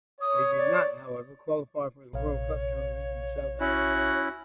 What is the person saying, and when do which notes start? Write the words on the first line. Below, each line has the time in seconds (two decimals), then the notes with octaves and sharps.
They did not, however, qualify for the World Cup tournament in South Africa.
0.21 C#5 D#6
0.58 D5
2.13 A#1 C3 C#5 F5
3.60 C#4 E4 F#4